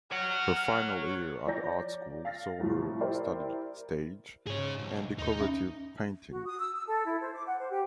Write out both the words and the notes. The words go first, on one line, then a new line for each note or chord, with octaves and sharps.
Her final year at the art school saw her study stage and decorative painting.
C#5 F#5 F6
F3 C#5 D5 A#5 G6 A#6
F5 A6 A#6
C2 A2 F3
E4 G4 A#4 C5 D5
G#2 G#4 C#5
B1
D#2 D#4
C#4 E5
F#4
D#6
E6
E6
A4
E4
C5
D6
F#5
C5
G4